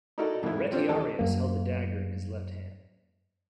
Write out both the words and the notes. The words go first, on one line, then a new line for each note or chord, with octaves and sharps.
The "retiarius" held the dagger in his left hand.
D#4 E4 F#4 A4 A#4 D5
F2 G#2 E3 E4
A3 C4 D4 F4 C5
A1 D#2 E3 A4 A5
F#2 A#3